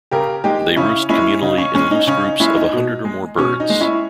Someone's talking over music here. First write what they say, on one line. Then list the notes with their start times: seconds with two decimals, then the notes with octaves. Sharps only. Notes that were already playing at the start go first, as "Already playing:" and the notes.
They roost communally in loose groups of a hundred or more birds.
0.11 C#3 G4 A#4
0.44 G#3 D#4 G4
0.76 C#3 C#4 E4
1.09 G#3 C#4 E4
1.42 C#3 D#4
1.58 C#4
1.74 G#3 C#4
1.91 D#4
2.07 C#3 C#4
2.24 D#4
2.40 G#3 C#4 E4
2.56 D#4
2.73 B2
3.05 G#3
3.38 B2 C#4
3.60 D#4
3.70 G#3
3.81 C#4 E4